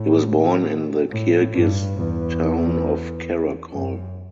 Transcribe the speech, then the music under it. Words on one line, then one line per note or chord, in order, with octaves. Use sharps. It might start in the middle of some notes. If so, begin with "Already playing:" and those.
He was born in the Kirgiz town of Karakol.
Already playing: A2
A2
G2
E2
F#2